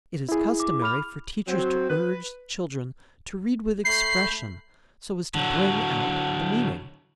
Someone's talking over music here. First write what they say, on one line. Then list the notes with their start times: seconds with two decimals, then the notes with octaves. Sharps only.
It is customary for teachers to urge children to read with expression, so as to bring out the meaning.
0.29 E4 G#4
0.60 D6
0.82 B5 F6 F7
1.47 F#3 C4
1.89 B4
3.85 A3 B5 G6 C7
5.35 D3 F#3